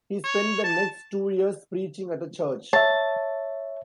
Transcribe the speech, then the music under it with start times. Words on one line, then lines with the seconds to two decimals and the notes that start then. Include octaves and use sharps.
He spent the next two years preaching at a church.
0.25 C#5
0.63 A5
2.73 C#5 E5 A5